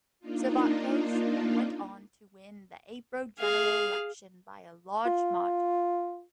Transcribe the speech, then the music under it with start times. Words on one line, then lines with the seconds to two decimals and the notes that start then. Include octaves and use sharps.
Cervantes and went on to win the April general election by a large margin.
0.20 A#3 D4 D#4 F4
3.39 G#4 F5
5.06 F4